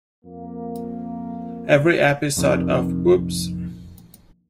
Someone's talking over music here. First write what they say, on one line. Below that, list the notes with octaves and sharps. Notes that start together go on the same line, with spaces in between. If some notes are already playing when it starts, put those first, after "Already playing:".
Every episode of Woops!
F2 A#3
A#1 F2 C3 D#3